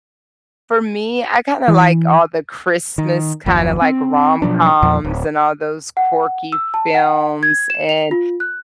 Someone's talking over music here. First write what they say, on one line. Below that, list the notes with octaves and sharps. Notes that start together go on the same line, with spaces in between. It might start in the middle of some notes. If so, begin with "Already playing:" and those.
for me, I kinda like all the Christmas kinda like rom-coms and all those quirky films and,
E3
D#3
F#1 D#2 F3
C4
B2 F3 F#3 D4
E2 A#2 F3
D1
F#5
E6
A5
F#5
G#6
E7
F7
F4
F#6